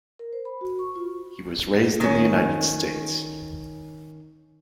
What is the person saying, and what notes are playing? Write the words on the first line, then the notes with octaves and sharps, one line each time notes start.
He was raised in the United States.
A#4
C5
B5
F#4
C#6
F4
D#3 C#4